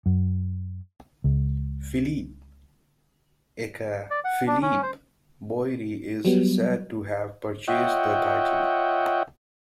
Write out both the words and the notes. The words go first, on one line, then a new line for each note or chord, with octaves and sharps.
Philippe, aka Philippe Boiry, is said to have purchased the title.
F#2
C#2
D5
F#5
D4
C#4
C5
F#3 G3 B3
F4 C#5 D#5 E5 F#5 G5